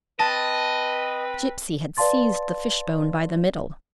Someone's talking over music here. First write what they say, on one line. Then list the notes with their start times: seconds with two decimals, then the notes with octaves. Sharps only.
Gipsy had seized the fishbone by the middle.
0.19 C4 B4 D#5 A5
1.97 B4 D5 F5 A5 C6 A6